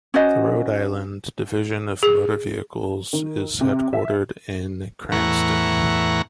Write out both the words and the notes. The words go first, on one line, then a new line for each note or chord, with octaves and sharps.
The Rhode Island Division of Motor Vehicles in headquartered in Cranston.
C#4 F#4 C5 D#5
G#4
D#3
C3
E5
E2 A2 E3 F#5 A#5 C#6